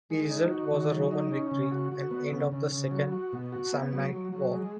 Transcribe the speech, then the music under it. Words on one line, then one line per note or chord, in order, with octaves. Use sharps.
The result was a Roman victory and end of the Second Samnite War.
G#3
D#4
F#4
D#3
F#3
D#4
C#4
C#3
F#4
F#4
B3
C#3
C#3
C#3
F#3
F#4
B2
F#4
B3
F#3
F#3
F#3
G#3